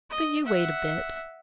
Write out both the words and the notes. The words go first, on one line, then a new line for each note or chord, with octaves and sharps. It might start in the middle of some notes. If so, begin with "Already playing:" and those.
But you wait a bit.
D#5
E5 F#5